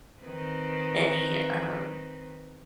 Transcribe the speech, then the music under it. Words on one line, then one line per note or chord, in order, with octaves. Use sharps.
any, um,
D#3 C4 B4